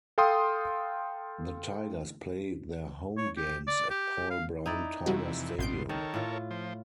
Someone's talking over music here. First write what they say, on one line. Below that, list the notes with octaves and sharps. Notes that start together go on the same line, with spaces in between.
The Tigers play their home games at Paul Brown Tiger Stadium.
A4 F5 G5 C6 D#6
C#5
G4
D5
G4
F5
D#4 E4 D5
F2 C3 E3 G3 F#4
A1 G2 B2 C6 G6 D7
D#3 A4 A#4 C#5
A2 F4
F3 C5